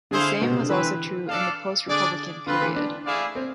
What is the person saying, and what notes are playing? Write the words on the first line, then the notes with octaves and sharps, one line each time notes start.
The same was also true in the Post-Republican period.
D3 E4 G#4 C5 F5
B2
C3
D3
E3 C4 E4 B4
D4 A4 D5 F5
D3 D4 G#4 D5
D3 C4 F4 B4
E3
D4
A3 E4 G#4 D5 F5
C4